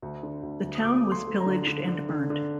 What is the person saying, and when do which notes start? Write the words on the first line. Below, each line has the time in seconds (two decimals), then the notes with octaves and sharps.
The town was pillaged and burnt.
0.02 D2
0.23 D3
0.43 D2
0.64 D2
0.75 D#6
0.84 D2 D6
0.96 D#6
1.04 A3 D6
1.12 C6
1.27 A3
1.40 A#5
1.46 D3
1.67 D3
1.87 D3
2.09 D3
2.30 D3